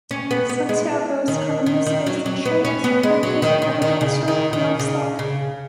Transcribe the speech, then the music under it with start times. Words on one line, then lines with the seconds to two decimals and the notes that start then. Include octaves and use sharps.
Santiago's economy is based on trade, banking, agriculture and livestock.
0.11 C#4
0.31 B3
0.49 B3
0.69 G#3
1.28 D#3
1.66 D#3
1.86 D#3
2.06 F#3
2.26 F#3
2.46 B3
2.65 C#4
2.84 B3
3.03 G#3
3.23 F#3
3.42 D#3
3.62 D#3
3.82 D#3
4.01 C#3
4.28 D#3
4.53 D#3
4.79 C#3
5.19 C#3